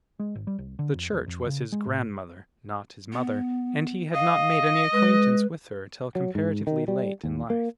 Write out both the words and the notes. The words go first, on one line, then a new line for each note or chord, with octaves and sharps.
The Church was his grandmother, not his mother, and he had not made any acquaintance with her till comparatively late in life.
G#3
G#1
G3
C2
D3
F2
E1
F2
C#3
G#3
A2
B3
D#5 F5
G#3 B4
F#3
G#2
D#3
G3
D#2
A#3